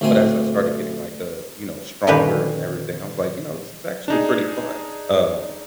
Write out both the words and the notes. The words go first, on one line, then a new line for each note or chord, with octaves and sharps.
but as I started getting, like, uh, you know, stronger and everything, I was like, "You know, this is actually pretty fun," um
D2 A#2 A3 C4 G#5
A#2 D3 D#3 C#4 G4 B4
D4 D#4 G#4